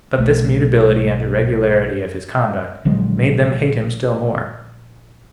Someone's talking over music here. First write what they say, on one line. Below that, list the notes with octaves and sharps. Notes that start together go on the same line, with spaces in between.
But this mutability and irregularity of his conduct made them hate him still more.
B1 A3
A#1 D3 F#3 G#3